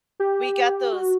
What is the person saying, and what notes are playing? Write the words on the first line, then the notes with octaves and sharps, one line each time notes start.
we got those
G4
F#4